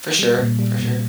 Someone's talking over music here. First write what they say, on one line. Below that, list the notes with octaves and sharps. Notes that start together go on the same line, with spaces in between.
For sure, for sure.
G3
A#2
G3
A#2